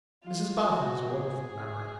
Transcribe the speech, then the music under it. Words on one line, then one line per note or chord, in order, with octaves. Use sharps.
Mrs Boffin has a wonderful memory.
F4
F#4
G#4